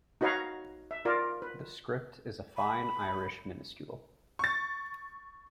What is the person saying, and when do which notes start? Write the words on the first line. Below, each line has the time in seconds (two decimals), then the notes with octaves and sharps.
The script is a fine Irish minuscule.
0.21 D#4 F#4 B4 C#5 F5 A#5
0.91 E5
1.05 F4 A#4 D5
1.42 B4
2.57 B5
4.39 C#6 A6